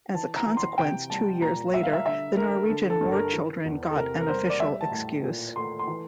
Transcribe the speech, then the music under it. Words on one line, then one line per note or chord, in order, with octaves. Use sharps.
As a consequence, two years later the Norwegian war children got an official excuse.
E3 A5
A#5
E3
C6
C3 G5
G3 A5
A#2 A#5
G3 E5
F5
E5
D3 E5
A3 A#4
D3 A4
A4
G2
A#4
E3
E2
A4
C3 A#4
A#4
G3 C5
D5
G3 E5
A5
A2
A#2
A3 C6
C6
E3